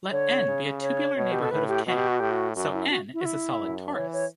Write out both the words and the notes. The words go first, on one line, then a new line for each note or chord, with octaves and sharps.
Let "N" be a tubular neighborhood of "K"; so "N" is a solid torus.
D3 C#5
C#3
C#5
B2
G4
A4
A2 B4
G4
B2 F#4
G4
F#4
A2 G4
F#4
F#2 F#4
E4
F#4
E4
F#4
E4
F#2
E3 C#5
C#5